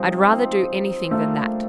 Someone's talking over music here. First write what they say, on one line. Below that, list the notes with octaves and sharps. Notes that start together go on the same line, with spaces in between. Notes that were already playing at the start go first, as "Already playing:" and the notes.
'I'd rather do anything than that.'
Already playing: C3 F3 G3 C4 D#4
F3 C4 D#4
F3 A3 A#3 D4